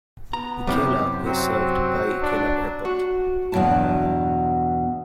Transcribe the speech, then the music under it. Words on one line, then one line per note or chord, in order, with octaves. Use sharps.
Ikela is served by Ikela Airport.
B3 A#5
F#2 C3 E4 G4
F#3 C4
D4
F#4
E2 G2 B2 F#3 E4 A5